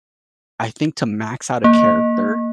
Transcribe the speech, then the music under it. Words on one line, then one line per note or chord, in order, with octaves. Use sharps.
I think to max out a character,
A#3